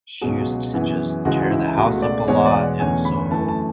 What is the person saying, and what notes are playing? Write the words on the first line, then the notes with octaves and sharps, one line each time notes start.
she used to just tear the house up a lot, and so
C#2 B2 F#3 G#4
F#2 E3 B3
C#2 C#3 E3 G#3 F#4
E4
C#2 B2 A3 F#4
D5
E2 B2 G#3 B3 C#5
D5
F#5
E2 D3 A3 C#4 G#5
B5
F#2 E3 A3 A5
A5